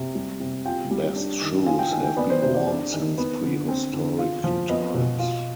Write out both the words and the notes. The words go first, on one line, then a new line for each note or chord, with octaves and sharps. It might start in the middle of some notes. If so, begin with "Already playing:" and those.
Bast shoes have been worn since prehistoric times.
Already playing: C3
G3
C3
F4 G5
G3
D4
D#3
F4 G#5
G5
D#3 G#5
G5
B3 D5
C5
C3 C5
D5
D4
D#3
B3
D3
C4
D3
F4
F3
B3 D#5
B2
F4